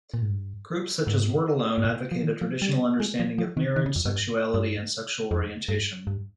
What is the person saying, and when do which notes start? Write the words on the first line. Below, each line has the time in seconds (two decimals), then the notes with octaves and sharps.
Groups such as WordAlone advocate a traditional understanding of marriage, sexuality and sexual orientation.
0.14 A#2
0.22 G#2
0.30 G2
1.07 G#2
1.78 G#2
1.85 A#2
2.12 F3
2.23 D#3
2.41 F3
2.62 G3
3.00 G#3
3.19 F3
3.38 F3
3.57 D#3
3.76 D#3
3.86 C#3
3.96 F2
4.05 G2
4.54 G2
5.31 F2
5.69 G2
6.07 G2